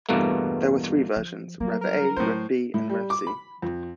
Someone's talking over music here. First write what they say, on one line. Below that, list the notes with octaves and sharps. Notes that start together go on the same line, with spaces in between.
There were three versions; RevA, RevB and RevC.
E2 G2 B2 A3 A#3
F3
F#3 G3 A#3
A#4
A#4
A2 F#3 C5
A2
G3
D6
B5
F2